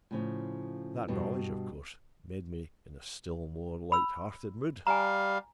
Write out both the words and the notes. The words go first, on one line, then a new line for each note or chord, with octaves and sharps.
That knowledge, of course, made me in a still more light-hearted mood.
A2 C#3 F3
G2 B2
B5 E6
G3 F5 G#5 A#5